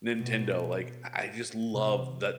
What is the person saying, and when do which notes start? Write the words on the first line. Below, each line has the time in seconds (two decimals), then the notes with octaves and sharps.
Nintendo, like, I I just love tha
0.17 B2
1.73 C3